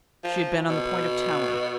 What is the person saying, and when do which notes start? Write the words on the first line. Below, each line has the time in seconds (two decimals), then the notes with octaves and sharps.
She had been on the point of telling.
0.24 F3
0.69 B2